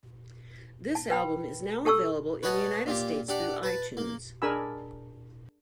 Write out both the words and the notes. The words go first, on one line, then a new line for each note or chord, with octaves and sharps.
This album is now available in the United States through iTunes.
A5
B4 G5 B5
G4 A4 A5 C#6 E6
B4 C#5 D#5 F#5 G#5 A5
A#2 F4 G4
D4 G4 D5 F#5
B4 A5
A#3
D4 G#4 A#4 G#5 B5 E6